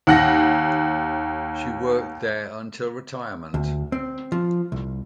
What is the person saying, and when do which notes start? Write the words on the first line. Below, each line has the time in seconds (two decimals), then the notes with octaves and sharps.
She worked there until retirement.
0.07 D#2 F#5 A#6
3.54 D2
3.92 C4
4.32 F3
4.72 C2